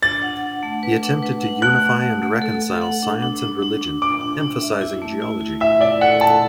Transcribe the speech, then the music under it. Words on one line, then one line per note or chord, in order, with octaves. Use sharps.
He attempted to unify and reconcile science and religion, emphasizing geology.
D4 A6
F#5
F#5
A3
B4
D4
B4
F#5
A3 F#6
F#5
A3
A3
A4
A4
F#5
D4
D4
D4
D4
D4
D4 D6
D4
D4
E5
E4
A3
E4
E4
E4 E5
E4 D5
A4 F#5
A4 A5